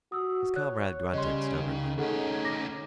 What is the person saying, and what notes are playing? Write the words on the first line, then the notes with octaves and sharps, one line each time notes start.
His comrade grunted stubbornly.
F#4 D#6 E6
C#5 F#6
C#3 G3 D#5 C6
D#3
D2 C#4 D#4 G#4 A4 F#5
D6 A#6